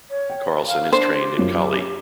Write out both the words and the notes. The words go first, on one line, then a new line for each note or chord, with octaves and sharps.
Carlson is trained in Kali.
C#5
G5
F5
D4 C5
G4
F#2 F4